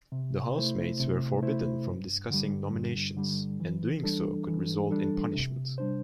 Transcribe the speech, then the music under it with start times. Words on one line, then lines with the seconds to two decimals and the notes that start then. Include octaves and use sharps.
The housemates were forbidden from discussing nominations, and doing so could result in punishment.
0.12 C3
0.56 A3 E4 C5
1.00 C3
1.43 A3 E4 C5
1.87 G2
2.30 D3 G3
2.73 G2
3.16 D3 G3
3.60 E3
4.04 G3 D4 A4
4.48 E3
4.91 G3 D4 A4
5.34 C3
5.78 G3 D4 C5